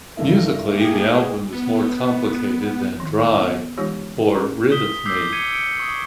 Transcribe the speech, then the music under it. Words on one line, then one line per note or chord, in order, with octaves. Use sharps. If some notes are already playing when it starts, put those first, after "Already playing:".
Musically, the album is more complicated than "Dry" or "Rid Of Me".
G2 A3 E4 A#4
A#3 G4 G#4
B3
D#3
B3 C4
E3 G#3 D#4 F4 G4 C#5
C#4 F4 G#4 A#4
D#6 B6 E7 G7
D6 E6 G6 B6 C7
G#6 C7 C#7 D#7
C#7 D7
C#6 D#6